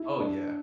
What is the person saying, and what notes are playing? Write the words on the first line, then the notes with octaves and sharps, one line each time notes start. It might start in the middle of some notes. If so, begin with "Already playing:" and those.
Oh, yeah.
Already playing: E4
D4